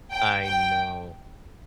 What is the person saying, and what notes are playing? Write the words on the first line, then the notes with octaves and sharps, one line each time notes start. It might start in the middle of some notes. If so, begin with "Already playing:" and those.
I know.
G5
G5